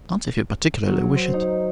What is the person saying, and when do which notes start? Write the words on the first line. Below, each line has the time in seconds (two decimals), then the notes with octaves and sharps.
"Not if you particularly wish it."
0.87 F#3
1.16 C5
1.33 D#4